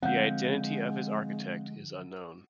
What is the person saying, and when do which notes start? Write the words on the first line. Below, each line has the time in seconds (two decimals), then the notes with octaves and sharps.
The identity of its architect is unknown.
0.03 D3 F3 G#3 C4 F5 F#5 G6